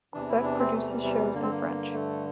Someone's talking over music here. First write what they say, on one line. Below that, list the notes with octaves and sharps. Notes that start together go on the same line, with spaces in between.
Quebec produces shows in French.
E2 C3 E3 D4
E4
D4
C4
A3
G3
G3
G2 D3 A#3
C4
A#3
A3